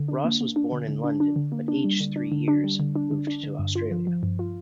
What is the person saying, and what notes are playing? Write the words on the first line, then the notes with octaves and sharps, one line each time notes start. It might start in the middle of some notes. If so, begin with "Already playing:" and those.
Ross was born in London but aged three years, moved to Australia.
Already playing: D3
D4
A#3
A#3
D4
D3
D3
D4
D4
D3
A#3
D4
G3
D3
D4
D3
D4
G3
D3
D4
D3
D4
D3
G2
F4
F3
F3
G2
F4